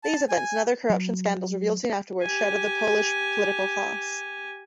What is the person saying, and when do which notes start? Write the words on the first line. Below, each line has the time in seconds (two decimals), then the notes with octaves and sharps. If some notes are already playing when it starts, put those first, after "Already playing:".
These events, and other corruption scandals revealed soon afterward, shattered the Polish political class.
0.04 A5
0.29 G#5
0.90 F#3
2.22 G4 G#5